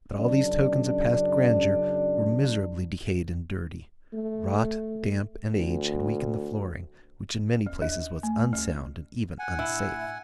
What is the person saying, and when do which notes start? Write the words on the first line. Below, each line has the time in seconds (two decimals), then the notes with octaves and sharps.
But all these tokens of past grandeur were miserably decayed and dirty; rot, damp, and age, had weakened the flooring, which in many places was unsound and even unsafe.
0.12 F#2 C#3 D4 D5
4.13 A3
5.54 D2
7.67 D2
7.82 D#2
8.23 A3
8.53 D2
9.39 F#5 G#5
9.59 D2 A2 D4 E4